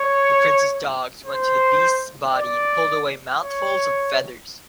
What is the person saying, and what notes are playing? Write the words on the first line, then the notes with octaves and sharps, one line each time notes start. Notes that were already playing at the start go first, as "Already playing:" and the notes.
The Prince's dogs went to the beast's body and pulled away mouthfuls of feathers.
Already playing: C#5
C5
D5
C#5